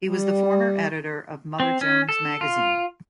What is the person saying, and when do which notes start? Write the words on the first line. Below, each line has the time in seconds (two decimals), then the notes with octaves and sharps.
He was the former editor of Mother Jones Magazine.
0.05 G3
1.60 C4
1.81 C#4
2.09 A4
2.41 F4